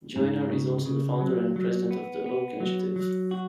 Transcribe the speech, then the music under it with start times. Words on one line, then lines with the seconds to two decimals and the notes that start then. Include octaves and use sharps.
Joyner is also the founder and president of the Oak Initiative.
0.16 G#2
0.51 C#3
0.86 C#3
1.21 F#3
1.56 F#3
1.91 B3
2.26 B3
2.60 F#3
2.96 F#3
3.31 F#4